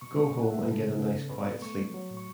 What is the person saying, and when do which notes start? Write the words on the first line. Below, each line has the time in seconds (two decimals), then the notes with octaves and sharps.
Go home and get a nice quiet sleep.
0.01 B2 C#6
0.18 B3 C#6
0.34 B3
0.43 F#5
0.50 B2 E5
0.62 B4
0.66 C#3 A4
0.82 C#3
0.98 C#3
1.14 B3
1.30 A2 B4
1.46 B3
1.62 A3 C#6
1.79 F#3
1.94 F#3
2.11 A2
2.17 C#6